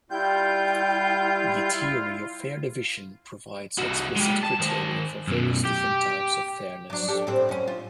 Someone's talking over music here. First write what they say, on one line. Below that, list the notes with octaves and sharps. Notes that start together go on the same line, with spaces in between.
The theory of fair division provides explicit criteria for various different types of fairness.
G3 E4 F4 G5 G6
C2 F#4
G#3 G4
A5
D#3 C5
F#2 B2
G4
F#3 D4
D4 G4 A4
A2 C4
F#2 C#4
F4